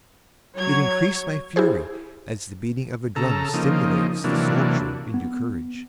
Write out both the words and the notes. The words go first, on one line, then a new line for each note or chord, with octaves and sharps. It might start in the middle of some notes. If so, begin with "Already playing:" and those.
It increased my fury, as the beating of a drum stimulates the soldier into courage.
F#3 C#5 G#6
E4 G4 G#4 C5
C#3 A4 A#5
C#3 F3 A#3 D#4
C3 E3 F#3 A#3 D4
B3